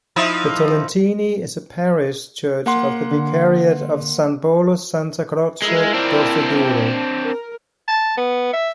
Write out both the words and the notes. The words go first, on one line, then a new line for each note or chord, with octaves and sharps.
The Tolentini is a parish church of the Vicariate of San Polo-Santa Croce-Dorsoduro.
F3 D#4 E4
A#3 F#5 C6
D3
G#3 E4 F4 A#4
C4 D4
A#4
A5
B3
E5